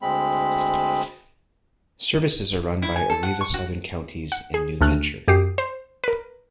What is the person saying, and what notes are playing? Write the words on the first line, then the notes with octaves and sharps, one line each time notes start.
Services are run by Arriva Southern Counties and Nu-Venture.
D2 G#3 C4 B5
E4
G#5
A4
F#5
C#6
F#4
F#5
G#4
D2 A3 F6 F#6
F#2 G4 D#6 C7
C5
A#4 B4